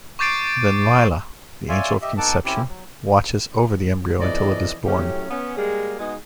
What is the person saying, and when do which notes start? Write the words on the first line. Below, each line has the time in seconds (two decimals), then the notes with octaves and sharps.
Then Lailah, the Angel of Conception, watches over the embryo until it is born.
0.19 C#6 D6 G6 A6 C7 D7
1.69 C#5 D5 E5 F5 G#5 C6
2.02 G4 D#5 E5
2.18 B3 D#4 A4 F#5 A5 D6
2.45 C4 C#4 E4 G4
2.69 F#3
4.20 F2 B2 E3 D5 D#5
4.84 F#2 A2 C#4 G4
5.30 B3 C#4
5.57 G3 G#3 A#3 G#4
5.99 G#3 B3 D#4 F#4 G#4